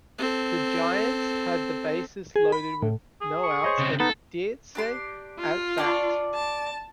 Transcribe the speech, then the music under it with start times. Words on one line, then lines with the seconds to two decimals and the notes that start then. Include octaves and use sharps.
The Giants had the bases loaded with no outs and Dietz at bat.
0.19 C4 A4
2.36 G#4
2.52 B5
2.83 A2
3.21 G#4
3.43 C#6
3.64 C5 C#5 D#5
3.79 C#3 C4
4.00 B3 D#4 A4
4.75 D4 G4 C6
5.39 F4
5.78 D4 D5 C#6
6.35 A5